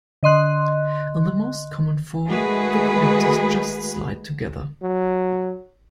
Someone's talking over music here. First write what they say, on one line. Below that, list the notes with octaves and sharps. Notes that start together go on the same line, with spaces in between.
In their most common form the connectors just slide together.
D3 D#5 C6 F#6
D#3 G#3 A3 F#4 G#4 B4
F#3